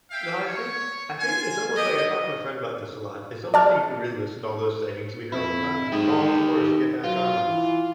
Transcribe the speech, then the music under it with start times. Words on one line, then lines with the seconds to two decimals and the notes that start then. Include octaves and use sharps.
No, I think I think it's almost like I talked to my friend about this a lot, It's almost like if you really listen to all those sayings we hear all the time, "If you fall off the horse, get back on",
0.11 E5 F5 G5
0.47 C#5
1.19 F4 G#5
1.76 G4 D#5
3.54 D5 A5 F6
5.32 F2 E4
5.92 G#2 G4 D#5
6.22 D#3
7.04 F#3 F4
7.48 E3